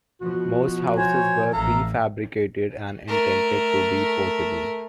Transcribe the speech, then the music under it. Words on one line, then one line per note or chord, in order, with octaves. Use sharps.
Most houses were prefabricated, and intended to be portable.
B2 F3 F#4
C5 C#5 G#5
A1 A4 E5 F5 A#5
A3 A#4